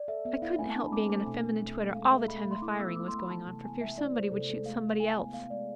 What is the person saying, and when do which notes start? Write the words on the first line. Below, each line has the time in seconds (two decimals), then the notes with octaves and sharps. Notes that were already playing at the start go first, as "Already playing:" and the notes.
I couldn't help being in a feminine twitter all the time the firing was going on for fear somebody would shoot somebody else.
Already playing: D5
0.08 A4 E5
0.25 B3 E5
0.42 E4 F5
0.59 A3 G#5
0.70 A5
0.76 D4
0.81 B5
0.92 C4 D6
1.10 A3 D6
1.26 B2 G#5
1.44 A3
1.61 A3
1.78 A3
1.95 G#3 F5
2.11 A4 E5
2.28 A3 B5
2.40 B5
2.45 A3
2.51 C6
2.62 E4 D6
2.79 B3 E6
2.96 A3 D6
3.08 C6
3.13 A3
3.19 B5
3.30 E3 A5
3.47 C3
3.64 B3 G#5
3.81 G#3 E5
3.98 E4 D5
4.15 A3 C5
4.32 C3 A4
4.49 G#3 A4
4.66 A3 F5
4.83 A3
5.00 E4 G#5
5.17 B3
5.34 B3 F5
5.50 G#3 D5